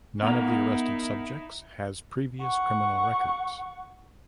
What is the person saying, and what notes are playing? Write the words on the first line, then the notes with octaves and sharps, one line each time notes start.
None of the arrested subjects has previous criminal records.
B3 D#4 E4 A#4 A#5
F#5 C#6